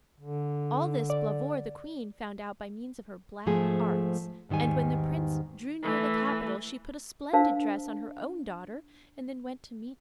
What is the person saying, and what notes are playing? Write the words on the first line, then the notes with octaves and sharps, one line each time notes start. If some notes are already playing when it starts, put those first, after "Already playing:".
All this Blauvor, the queen, found out by means of her black arts, and when the prince drew near the capital she put a splendid dress on her own daughter and then went to meet her guest.
D3
D5
G#2 F3 A3 G#4
E2 G#2 D#3 G3 G#5
E3 A3
D4 A#4 C5 F5 A5